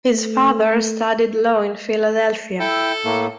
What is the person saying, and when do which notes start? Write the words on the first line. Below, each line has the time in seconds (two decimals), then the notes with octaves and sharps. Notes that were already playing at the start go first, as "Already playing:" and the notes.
His father studied law in Philadelphia.
0.12 A3
2.60 E4 A4 G5
3.05 A2 A3 A#3